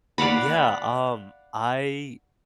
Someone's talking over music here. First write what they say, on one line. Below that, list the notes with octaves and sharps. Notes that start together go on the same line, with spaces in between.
yeah, um, I
D5 F5 F#5 B5